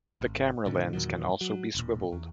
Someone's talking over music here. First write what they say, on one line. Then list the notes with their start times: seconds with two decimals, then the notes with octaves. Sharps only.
The camera lens can also be swiveled.
0.21 G#1
0.66 A2 D3 D#3
0.93 E2 A#2 D#3 F#3
1.41 F#3
1.75 E1 A#2
2.12 E2